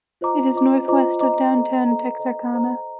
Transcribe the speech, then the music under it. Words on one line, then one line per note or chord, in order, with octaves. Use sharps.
It is northwest of downtown Texarkana.
F4 C5 D#5 A#5 D6
F4 C5 D#5 A#5 D6
F4 C5 D#5 A#5 D6
F4 C5 D#5 A#5 D6
A4 C5 D#5 A#5
A4 C5 D#5 A#5
A4 C5 D#5 A#5
A4 C5 D#5 A#5